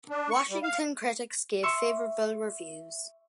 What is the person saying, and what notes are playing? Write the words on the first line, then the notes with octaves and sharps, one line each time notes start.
Washington critics gave favorable reviews.
D4
C#6
G3
F5
E5 C6 C#6 E6